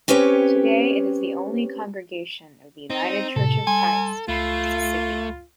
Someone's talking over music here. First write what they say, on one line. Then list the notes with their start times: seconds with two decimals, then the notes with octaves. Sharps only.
Today it is the only congregation of the United Church of Christ in Mississippi.
0.08 C4 C#4 G4 B4 C#5
2.90 C4 D#4
3.36 A2 C3 A4
3.67 G3 G#5 C6
4.28 C#2 A3 F4 B5 C7